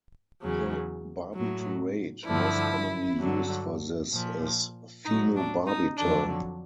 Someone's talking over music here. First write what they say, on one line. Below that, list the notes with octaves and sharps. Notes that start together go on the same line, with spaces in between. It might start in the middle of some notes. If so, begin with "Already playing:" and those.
The barbiturate most commonly used for this is phenobarbital.
E2 C#3 F#3
A2 F#3
G2 D3 F3 E4
G2 D3 F#3
A#2 F3
A2 F#3 D#4
D4
D#4
F2 D3 F#3 D4